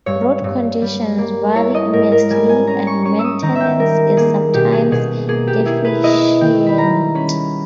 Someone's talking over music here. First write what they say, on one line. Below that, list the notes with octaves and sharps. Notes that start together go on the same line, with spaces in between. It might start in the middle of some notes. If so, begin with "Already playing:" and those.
Road conditions vary immensely, and maintenance is sometimes deficient.
G2 C#5
G2
G3
A#3
E4 C#5
D#5
G#2 A#4
A#4
G3 G#5
G#5
C#4 A#5
C#6
C#4 C#6
E6
D#6
D#3 A#5
E5
G5
G3 A#4
A#3 G#4
B2 G4
G#4
B2 G#4
A#3 G#4
G4
E4 G#4
B4
E4 D#5
D#3 G5
B5
G3 A#5
C#4 B5